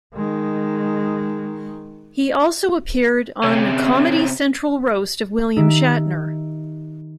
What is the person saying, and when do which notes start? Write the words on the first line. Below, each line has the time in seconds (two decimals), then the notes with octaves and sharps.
He also appeared on the "Comedy Central Roast of William Shatner".
0.15 D#3 G#3
3.44 C3 C#4
5.57 D#3 D#4 G4 E5 D7